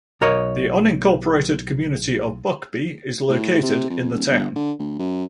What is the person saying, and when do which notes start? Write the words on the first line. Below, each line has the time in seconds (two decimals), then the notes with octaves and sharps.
The unincorporated community of Buckbee is located in the town.
0.21 B1 A#4 C#5 D#5
3.29 A2
3.62 C3
3.90 F2
4.14 D#1
4.30 G1
4.55 D3
4.79 D2
4.99 F#2